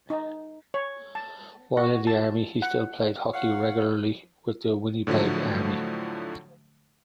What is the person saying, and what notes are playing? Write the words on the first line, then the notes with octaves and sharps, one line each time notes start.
While in the army, he still played hockey regularly with the Winnipeg Army.
D#4
C#5
A5
F#4
A5
F#5
C#5 F5 F#5
A2 D3 F3 F#3 A3